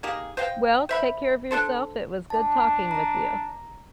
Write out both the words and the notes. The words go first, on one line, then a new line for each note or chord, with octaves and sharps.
well, take care of yourself, it was good talking with you.
A#3 D#4 G4 G#4
C5 D#5 F5 G5
C5 E5 B5
D4 E4 A4 C5
D4 A5
A#5